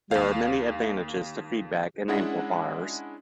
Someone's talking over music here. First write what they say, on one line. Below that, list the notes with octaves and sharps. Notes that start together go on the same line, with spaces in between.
There are many advantages to feedback in amplifiers.
D#2 F5
G#3 C#4 D4 E4 G#4 F#5